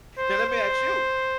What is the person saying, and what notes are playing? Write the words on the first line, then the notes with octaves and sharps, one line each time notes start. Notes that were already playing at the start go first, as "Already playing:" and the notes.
Now let me ask you.
C5
C5